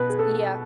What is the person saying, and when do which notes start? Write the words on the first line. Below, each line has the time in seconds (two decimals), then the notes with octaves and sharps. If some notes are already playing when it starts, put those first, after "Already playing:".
S yeah,
Already playing: B2 B4
0.09 G#4
0.19 A4